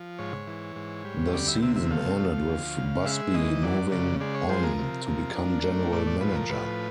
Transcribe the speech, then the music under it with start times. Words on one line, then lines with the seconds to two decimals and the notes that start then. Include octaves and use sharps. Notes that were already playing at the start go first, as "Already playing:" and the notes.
The season ended with Busby moving on to become General Manager.
Already playing: F3
0.19 G#2 C#5
0.47 E3
0.76 G#2
1.05 G3
1.33 D2 D5
1.48 E5
1.62 C3 E5
1.76 E5
1.91 A3 F5
2.19 F3
2.48 D2
2.77 C#3
3.05 G#3 E5
3.34 E3 D#5
3.63 F#2 D5
3.92 C#3 D5
4.20 G#3 D5
4.35 C#5
4.49 F3 C5
4.63 A#4
4.78 C3
5.06 F3
5.35 D4
5.63 A3
5.92 A2 D5
6.07 D5
6.21 F3 B4
6.35 A#4
6.49 A2 B4